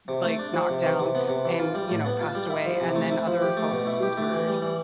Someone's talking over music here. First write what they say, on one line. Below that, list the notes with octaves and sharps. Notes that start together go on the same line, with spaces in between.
like, knocked down, and, you know, passed away, and then other folks injured,
C3
A3
D4
F3
C3
E3
C3
B3
C3
E3
F4
G3
A2
B3
F4
G3
E4
F3
C3
A3
E4
F3
G4
A3
B2
E4
G4
A3
E3
G3
E3